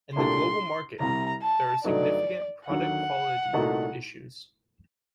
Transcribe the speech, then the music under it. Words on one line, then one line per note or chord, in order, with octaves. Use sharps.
In the global market, there are significant product quality issues.
C2 A#2 A3 D4 G4 C6
C2 C3 G3 A#5
A5
G2 D3 F#3 A3 D#4 D5
D#2 D3 F#3 F#5
C2 A#2 A3 D#4 F#4